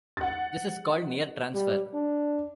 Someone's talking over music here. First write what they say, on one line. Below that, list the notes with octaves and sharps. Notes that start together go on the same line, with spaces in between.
This is called near transfer.
F#5 A6
G3
D4